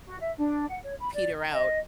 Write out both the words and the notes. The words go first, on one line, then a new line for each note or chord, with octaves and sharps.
peter out
F#4
E5
D4
F#5
C#5
B5
D5
A#5
D#5